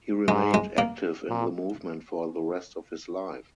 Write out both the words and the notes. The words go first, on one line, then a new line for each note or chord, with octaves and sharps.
He remained active in the movement for the rest of his life.
G#2 G#3
G#3
A#3
A#2